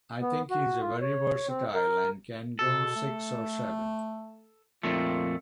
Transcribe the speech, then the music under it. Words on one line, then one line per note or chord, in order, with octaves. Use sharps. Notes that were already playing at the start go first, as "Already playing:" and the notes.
I think he is very versatile and can go six or seven.
B3
F#4
F4
C#5
C4
A#4
B2 A4
A3
F2 A#2 A3 F4